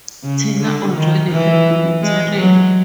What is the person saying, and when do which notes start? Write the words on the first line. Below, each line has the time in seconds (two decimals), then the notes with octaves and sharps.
Tina already had the material.
0.24 C#3
0.59 D3
0.95 D#3
1.31 E3
2.02 G#3
2.38 F#3